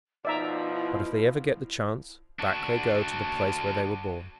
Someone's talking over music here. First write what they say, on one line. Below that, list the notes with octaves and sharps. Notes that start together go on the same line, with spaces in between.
But if they ever get the chance, back they go to the place where they were born.
B2 F3 D#4 F4 D5 E5 A#5
E4
D4 F#4